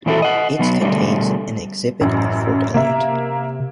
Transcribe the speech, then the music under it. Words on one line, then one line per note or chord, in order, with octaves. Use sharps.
Its contains an exhibit on Fort Elliott.
A#2 E3 C4 E4 F#4 A4
D#5 F#5
B2 F#3 B3
B2 D3 G3 A3
A1 F#2
C3 A#3 E5